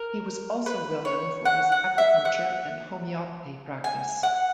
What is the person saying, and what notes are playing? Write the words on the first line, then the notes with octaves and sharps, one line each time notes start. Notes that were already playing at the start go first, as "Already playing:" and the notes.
He was also well known for his acupuncture and homeopathy practice.
Already playing: A#4
B4
C#5
F#5
F#5
E5
F#5
G#5
F#5